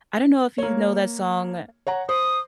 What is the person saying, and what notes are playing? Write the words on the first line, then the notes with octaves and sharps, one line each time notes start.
I don't know if you know that song,
A#3 C#5
C#5 F#5 A#5
C5 D#6